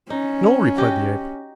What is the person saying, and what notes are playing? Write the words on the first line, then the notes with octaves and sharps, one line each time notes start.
"No," replied the ape.
C#4 D#4
F#4 G4 D#5